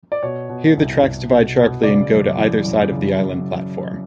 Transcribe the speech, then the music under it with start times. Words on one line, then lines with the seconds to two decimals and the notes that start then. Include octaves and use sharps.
Here the tracks divide sharply to go either side of the island platform.
0.12 D5
0.23 B2 C#5
0.49 B2
0.77 C2
1.03 C2
1.30 B2
1.57 B2
1.83 C#3 D5
2.11 F#2
2.38 E3
2.64 F#2
2.92 C#3
3.18 F#2